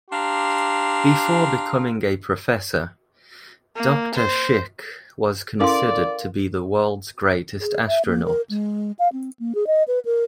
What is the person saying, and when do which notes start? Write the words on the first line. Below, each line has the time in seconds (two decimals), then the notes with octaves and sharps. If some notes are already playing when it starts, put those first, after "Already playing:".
Before becoming a professor, Doctor Schick was considered to be the world's greatest astronaut.
0.10 D4 G4 F5 A#5 C6
3.76 A#3
4.15 C5
5.60 C#4 E4 A4 A#4 D5 F5 C6
7.61 G#4
7.88 E5
8.06 A#3
8.25 A#4
8.50 G#3
8.99 F5
9.13 C4
9.39 A#3
9.55 G#4
9.67 D#5
9.88 B4
10.05 A#4